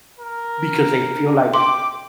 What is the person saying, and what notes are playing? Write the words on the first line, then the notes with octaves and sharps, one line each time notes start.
because they feel like
A#4
G5 C6 D6